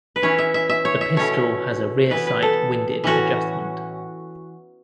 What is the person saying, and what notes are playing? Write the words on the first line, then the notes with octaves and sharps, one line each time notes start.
The pistol has a rear sight windage adjustment.
B4
E3 C#4 E4 C#5
E5
E5
E5
C#5
E5
B2 A3 C#4 E4 C#5
E3 B3 E4 B4
B4
A4
A2 E3 C#4 F#4